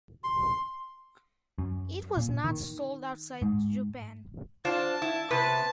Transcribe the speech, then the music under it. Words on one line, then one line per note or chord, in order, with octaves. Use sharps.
It was not sold outside Japan.
C6
F#2
A#2
D#3
G#2
D4 F4 C5 A5
E4
C3 B3 B4 A5